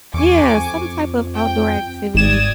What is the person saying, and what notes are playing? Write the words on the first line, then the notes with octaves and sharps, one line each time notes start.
Yeah, some type of outdoor activity
E2 G#5 C#6 D6
F2
G5
G#1 D5 D#6 G#6 E7